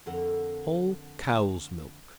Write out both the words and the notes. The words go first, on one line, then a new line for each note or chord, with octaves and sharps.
Whole cow's milk.
F2 D3 A4 A#4 F#5